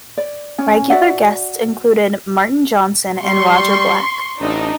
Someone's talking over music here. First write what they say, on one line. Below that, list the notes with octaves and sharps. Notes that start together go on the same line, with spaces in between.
Regular guests included Martin Johnson and Roger Black.
D5
C#4 G#5
F#4 D5 E5 F#5
G3 C6 C#6
A1 D4 D#4